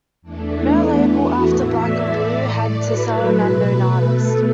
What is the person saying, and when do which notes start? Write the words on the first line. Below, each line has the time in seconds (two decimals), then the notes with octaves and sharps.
No label after Black and Blue had to sell an unknown artist.
0.22 E2 E3 A3 D4
0.54 B3
0.86 E2 E3 A3 B3
1.18 F#4
1.50 A2 E3 A3 E5
1.82 D5
2.13 A2 A3
2.77 A2 F#3 A3 B4
3.40 B2 A3 B4
4.04 B2 A3 A4